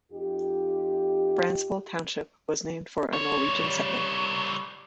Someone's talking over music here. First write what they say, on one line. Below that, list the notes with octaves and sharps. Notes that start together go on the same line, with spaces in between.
Brandsvold Township was named for a Norwegian settler.
F2 D#4 F4 G4
G3 C#5